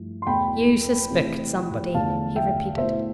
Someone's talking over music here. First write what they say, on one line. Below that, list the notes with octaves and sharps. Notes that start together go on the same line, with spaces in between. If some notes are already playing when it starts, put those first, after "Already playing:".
"You suspect somebody," he repeated.
Already playing: G2 F3 A3 E4
C6
E2 B2 A3 E4 G5 B5
C3 E3 A3 C4
E2 D3 F3 A3 F5 A5
E5 G5
B2 A3 E4 C5 E5